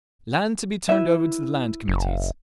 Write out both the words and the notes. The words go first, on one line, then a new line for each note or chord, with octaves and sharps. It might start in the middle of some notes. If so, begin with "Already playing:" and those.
Land to be turned over to the Land Committees.
E4 B4 E5
F#1